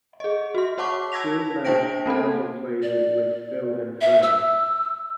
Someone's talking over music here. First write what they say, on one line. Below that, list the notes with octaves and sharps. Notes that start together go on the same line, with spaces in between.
Phil Lesh also plays it with Phil and Friends.
G#4 D#5
F#4 C6
F#4 C#5 F#5 A5 C#6 D6
A5 E6 G#6 A#6 B6 F7
A#3 D4 C5 G5 A#6 D7
A#3 C4 C#4 A4
D5
E5
E6